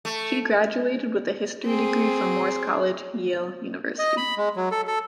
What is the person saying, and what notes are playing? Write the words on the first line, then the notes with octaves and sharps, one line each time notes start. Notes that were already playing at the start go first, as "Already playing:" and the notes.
She graduated with a history degree from Morse College, Yale University.
A3
C4 G#4
D#5
B5
G#3
F#3
A4
A4